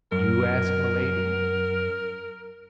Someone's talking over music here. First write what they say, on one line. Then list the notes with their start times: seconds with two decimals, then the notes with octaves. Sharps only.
"You?" asked Milady.
0.12 F#2 A#4